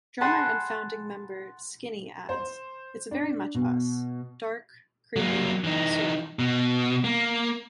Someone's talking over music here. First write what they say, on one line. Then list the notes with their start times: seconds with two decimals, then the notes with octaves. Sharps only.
Drummer and founding member Skinny adds, It's very much us: dark, creepy, surreal.
0.21 F#5 G#5 A5 B5 C6 F#6
2.29 C5
3.11 D4
3.55 B2
5.16 F#3 A#3
5.64 E3 D#4
6.39 B2
7.04 A#3